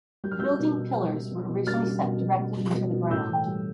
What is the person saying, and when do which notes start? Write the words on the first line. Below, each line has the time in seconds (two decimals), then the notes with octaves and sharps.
The building pillars were originally set directly into the ground.
0.24 G3 G6
0.31 F6
0.39 G3 E6 G6
0.60 B2
0.78 B2
0.96 G3
1.13 G3
1.31 B2
1.49 B2
1.67 G3 F6 A6
1.85 G3
2.04 B2
2.21 B2
2.39 G3
2.57 G3
2.74 B2
2.92 B2
3.10 A2 E6 G6
3.28 E3
3.46 G3